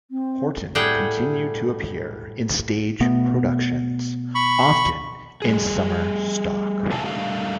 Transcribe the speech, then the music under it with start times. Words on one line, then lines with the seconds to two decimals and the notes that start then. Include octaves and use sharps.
Horton continued to appear in stage productions, often in summer stock.
0.10 C4
0.75 A2 G3 G#4 F#5 G5
3.00 B2 A3 B3
4.35 B5 C#6
5.42 G3 G#4
6.92 B2 G#4 E5 F5 G#5 A5
7.04 G3 A3 D4 A#4 D#5 F5